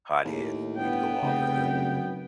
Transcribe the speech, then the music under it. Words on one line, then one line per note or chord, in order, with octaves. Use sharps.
hothead, he'd go off in a
D#2 A2
G1 B3 G5
F1 C#3
F#2